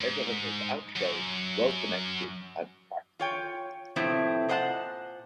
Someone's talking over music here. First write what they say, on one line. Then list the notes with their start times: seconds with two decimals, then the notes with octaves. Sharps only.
Abraham was outgoing, well-connected, and practical.
0.01 G#2
0.96 F#2
3.19 F4 C#5 G5
3.96 A2 C3 F3 B3 C4 E4
4.49 A#2 C5 D#5 F#5 A5